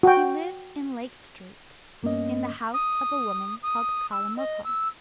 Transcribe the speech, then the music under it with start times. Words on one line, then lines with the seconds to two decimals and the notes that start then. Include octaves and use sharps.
He lives in Lake Street, in the house of a woman called Kalmikov....
0.03 F#4 G5
2.03 G2 A#3 B3 C#4 D#5
2.73 D#6
3.62 D#6
4.11 E6
4.36 D#5
4.64 E6